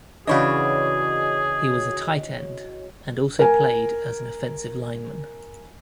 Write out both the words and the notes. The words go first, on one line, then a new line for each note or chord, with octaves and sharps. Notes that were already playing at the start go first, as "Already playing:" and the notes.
He was a tight end and also played as an offensive lineman.
C#3 E3 D4 F#4 G#4 C#5 D#5
A#4 G#5